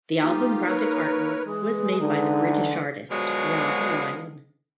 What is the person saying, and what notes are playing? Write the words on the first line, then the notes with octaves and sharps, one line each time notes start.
The album graphic artwork was made by the British artist Rob Ryan.
A#3 D#4 F4 G4
A#4 B4 C#5
E3 G#3 G#4
D3 D#4
B2 D3 F3 F#3 G#3